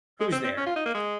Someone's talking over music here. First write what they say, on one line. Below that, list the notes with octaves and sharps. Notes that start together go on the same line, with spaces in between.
Who’s there?
G#3
C4
C4
C#4
F4
D#4
A#3
G#3